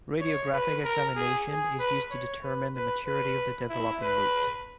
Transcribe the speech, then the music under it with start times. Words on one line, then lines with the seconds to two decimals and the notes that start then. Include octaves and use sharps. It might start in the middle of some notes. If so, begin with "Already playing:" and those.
Radiographic examination is used to determine the maturity of the developing root.
0.21 C#5
0.53 B4
0.85 A#4
1.16 G#4
1.49 G#4
1.79 B4
2.11 C#5
2.43 B4
2.75 B4
3.06 B4
3.70 E4
4.02 B4